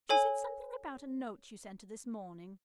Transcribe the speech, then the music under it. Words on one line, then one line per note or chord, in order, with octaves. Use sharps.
She said something about a note you sent her this morning.
A4 C#5 G#5